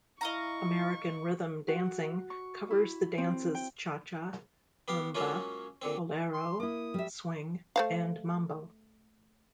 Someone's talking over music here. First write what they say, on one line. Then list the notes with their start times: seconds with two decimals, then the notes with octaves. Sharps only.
American Rhythm dancing covers the dances cha cha, rumba, bolero, swing, and mambo.
0.21 E4 D#5 F5 A#5 C#6
1.68 F#4
2.30 C#6
2.70 E4
3.18 C4
3.55 G5
4.88 B3 G4 F5
5.15 F#3 G#3 A#3 C#4 F4
5.82 A#2 D3 C4
6.33 C6
6.60 A#3 E4 D#6
6.94 G3 E5
7.76 A3 C5 F5